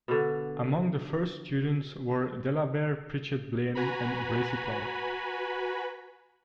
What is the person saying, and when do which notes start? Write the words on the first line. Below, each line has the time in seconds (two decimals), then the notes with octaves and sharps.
Among the first students were Delabere Pritchett Blaine and Bracy Clark.
0.08 B2 D3
3.75 F#4 B4 G#5 A#5 B5